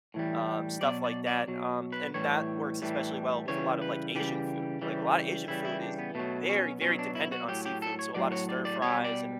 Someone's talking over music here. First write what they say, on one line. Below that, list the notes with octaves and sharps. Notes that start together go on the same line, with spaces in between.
um, stuff like that, um, and that works especially well with a lot of, like, Asian food, like, a lotta Asian food is very, very dependent on seafood, so a lot of stir-fries and
A2 E3 G3
B2 F#3 D5
D5
D5
B2 F#3
B4
A2 E3 G3 C#5
A2 E3 G3
C#3 E3 G3 C#5
B4
C#3 E3 G3 G4
C#3 E3 G3
C#3 E3 G3 E4
E4
D4
B3
B2 F#3 A3
C#4
B2 F#3 C#4
D4
E4
F#4
A2 F#3 G4
G4
A4
C#5
A2 F#3 D5
C#5
D5
D5
B2 G3 C#5
D5